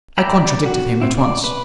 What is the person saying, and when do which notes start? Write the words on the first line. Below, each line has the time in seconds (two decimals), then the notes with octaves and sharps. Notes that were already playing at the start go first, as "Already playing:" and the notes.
I contradicted him at once.
0.18 D5 E5 G5 A#5 B5
0.46 D5
0.66 F#4
1.02 C4 E4
1.17 D5
1.44 B4